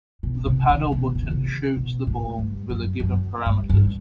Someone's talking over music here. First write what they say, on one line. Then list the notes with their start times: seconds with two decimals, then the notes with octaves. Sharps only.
The paddle button shoots the ball with the given parameters.
0.23 B2
0.46 C3
0.69 D#3
0.92 B2
1.15 C3
1.22 D#3
1.31 C3
1.77 B2
2.07 A2
2.38 G2
2.70 F#2
3.00 F#2
3.46 G2
3.69 G2